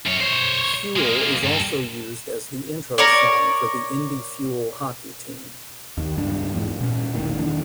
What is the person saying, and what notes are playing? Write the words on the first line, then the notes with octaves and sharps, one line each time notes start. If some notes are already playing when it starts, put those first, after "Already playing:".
"Fuel" is also used as the intro song for the Indy Fuel hockey team.
F#2 C#5
C5 C#5
G#3 A#3
G2 A4
A#4 C#5 D5
D#2
C#2 G2 D4
E2 G#2
A#2 C#4
E1 A1 A#2 D#3
E2 D#3 D4